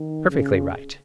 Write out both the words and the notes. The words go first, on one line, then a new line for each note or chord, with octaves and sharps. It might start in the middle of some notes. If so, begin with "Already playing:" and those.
Perfectly right.
Already playing: D#3
C#3